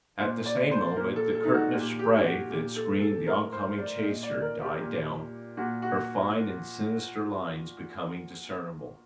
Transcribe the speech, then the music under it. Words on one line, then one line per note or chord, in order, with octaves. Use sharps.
At the same moment the curtain of spray that screened the on-coming chaser died down, her fine and sinister lines becoming discernible.
A#2 C5
D5
C5
A#2 A#4
A4
A4
D#4
F#4
A#2 G4
G4
F#4
A#2 G4
A4
A4
A2 A#4
C5
D5
A#2 D#5
D5
A#4
G4
A#2
A#2 F#4
F#4